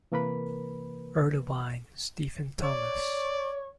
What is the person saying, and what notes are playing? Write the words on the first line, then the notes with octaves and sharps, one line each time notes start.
Erlewine, Stephen Thomas.
C3 E3 A#3 A#4 B4 B5
C#5 D5